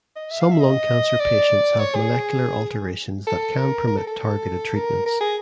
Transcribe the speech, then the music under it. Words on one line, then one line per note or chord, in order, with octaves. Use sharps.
Some lung cancer patients have molecular alterations that can permit targeted treatments.
D#5
E5
F5
E5
D#5
D5
C#5
G#4
A4
A#4
A#4
A4
A4
A#4
A#4
G#4